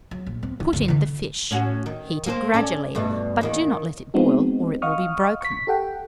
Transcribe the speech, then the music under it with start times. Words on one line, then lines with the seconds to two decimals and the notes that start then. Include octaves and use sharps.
Put in the fish; heat it gradually; but do not let it boil, or it will be broken.
0.11 F#3
0.26 A#1
0.43 C4
0.60 D#3
0.73 G1 D#3
0.88 D3 E4
1.51 A2 C#4 F#4
1.86 D#3
2.26 A#3 G#4 C5
2.54 C#4 A4 D5
2.95 G2 B2 A3
3.41 E2 D#3 A#3
4.14 G#3 B3 C4 D#4 F#4
4.82 D#5 F5 F#5 C#6 D#6 F6
5.41 C#6 B6
5.67 G4 A4 F#5 G5